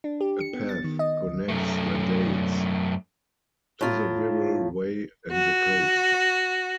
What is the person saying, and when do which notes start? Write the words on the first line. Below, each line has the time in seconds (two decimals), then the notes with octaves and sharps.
A path connects the Dales to the Wirral Way and the coast.
0.04 D4
0.21 G4
0.40 C#7
0.54 B3
0.69 A6
0.84 D#3
0.99 D#5
1.25 D2
1.48 F#2 A3
3.81 A2 F4 A#5
5.32 F#4